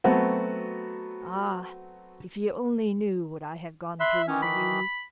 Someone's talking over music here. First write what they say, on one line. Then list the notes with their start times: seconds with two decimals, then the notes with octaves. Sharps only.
Ah, if you only knew what I have gone through for you!
0.04 F#3 A3 B3 C4 F#4
4.00 E5 B5 C6 F#6
4.28 D#3 E3 C#4
4.43 B5